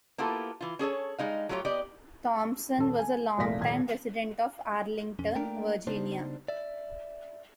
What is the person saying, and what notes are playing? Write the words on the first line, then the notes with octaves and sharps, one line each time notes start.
Thompson was a long-time resident of Arlington, Virginia.
A#3 B3 E4 F4 G4 A4
E3 F4
C#4 G#4 A4 C#5
G3 G#3 D#4 F5
F#3 A3 F4 G4 C#5
B3 G4 D5 D#5
D#1 A4
G#5
F1 C2 A#2 F5 A#6 B6
D#1 G#6
B1 F2 C#4
A3 A#3 D4 A#4 G5
C#3 G3 B3 D4 D#4 C5
D5 E5